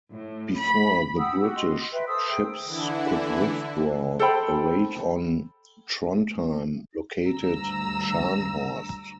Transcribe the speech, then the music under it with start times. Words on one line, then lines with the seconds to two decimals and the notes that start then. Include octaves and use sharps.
Before the British ships could withdraw, a raid on Trondheim located "Scharnhorst".
0.11 A2
0.59 B5
1.18 F#5 G5 D#6 E6
1.39 F#4 G4 E6
1.56 D#5 C6
1.92 B4 E5 G5
2.07 A4 C5 D#6 E6
2.29 G#4 A#4 G5
2.64 D3 E3 E4
4.19 A4 C5 G5 B5
7.25 D2 G2 A#5 E6